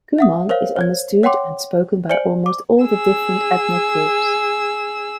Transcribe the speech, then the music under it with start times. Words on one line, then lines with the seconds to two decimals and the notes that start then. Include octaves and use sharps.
Kuman is understood and spoken by almost all the different ethnic groups.
0.18 E5 F#5 D#6
0.49 A#4 C5 C#5 F5
0.76 C5 C#5 G#6
1.23 C#5 F#5 G5 C6 D6
2.10 C5 D5 G#5 C#7 D7 F#7
2.46 D6
2.83 G#4 E6